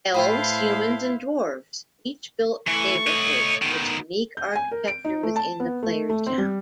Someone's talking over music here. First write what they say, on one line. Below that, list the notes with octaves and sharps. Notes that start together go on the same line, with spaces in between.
Elves, humans and dwarves each built neighborhoods with unique architecture within the player's town.
A2 E4 B4 C5 F5 G5 A5
E3 A3 C#6
C#5 D#5
B2 D#3
G6
G#5
A#4
D7
D#4
A3
A5
B3
A3
A3
C4
G3